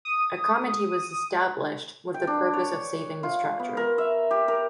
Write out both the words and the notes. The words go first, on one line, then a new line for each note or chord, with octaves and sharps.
A committee was established with the purpose of saving the structure.
D#6
G5
D4
C#5
F4
B3
A#4
E5
G4
A#4